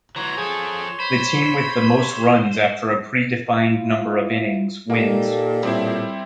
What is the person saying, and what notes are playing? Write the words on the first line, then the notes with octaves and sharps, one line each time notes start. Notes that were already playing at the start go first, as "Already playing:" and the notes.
The team with the most runs after a predefined number of innings wins.
E3 F#3 C#5 A#5 C6
F3 G#4 A4
C5 B5
E4 F4
A#2 A#3 D#4 G4 A4
A2 G3 C4 E4